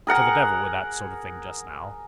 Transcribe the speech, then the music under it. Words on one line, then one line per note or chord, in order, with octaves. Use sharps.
'To the devil with that sort of thing just now!
G#4 A#4 F#5 A#5